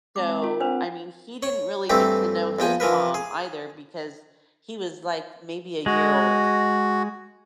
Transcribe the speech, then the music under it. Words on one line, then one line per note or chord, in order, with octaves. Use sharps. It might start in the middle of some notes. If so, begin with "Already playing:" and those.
So, I mean he didn't really get to know his mom either because he was, like, maybe a year old.
G#3 C4 A5 D6
F4 A#4
C4 D4 F4 B4 C5 F#5
C#5
G2 E3 A3 C4 G4
E2 F3 G5 G#5
E3 F3 A#4 B4
G#4
G#3 F#4